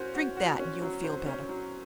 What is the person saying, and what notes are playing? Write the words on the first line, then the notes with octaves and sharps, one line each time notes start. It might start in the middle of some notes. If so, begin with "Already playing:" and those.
"Drink that and you'll feel better."
Already playing: C#4 F#4 C5
F#4
F#4
C#4
F#3
C5
C#4
F#3